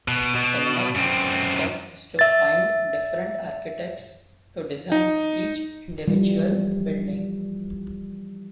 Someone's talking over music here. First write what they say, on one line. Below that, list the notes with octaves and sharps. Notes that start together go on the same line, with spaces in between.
The next step is to find different architects to design each individual building.
B2
B2
F#2 C4
E5 A6
D#4
E3 F3 G3